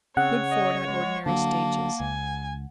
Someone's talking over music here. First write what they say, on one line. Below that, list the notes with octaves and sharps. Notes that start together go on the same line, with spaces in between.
Good ford at ordinary stages.
C#3 C4 C#5 F#5
D#5
G#3
D3 F#3 A#3 A5
C#2 G#5